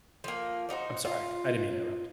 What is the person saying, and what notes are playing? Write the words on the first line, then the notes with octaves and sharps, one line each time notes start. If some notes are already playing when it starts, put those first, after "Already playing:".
I'm sorry, I didn't mean to interrupt.
F3 A#3
D4 D#4 F#4 C5
F4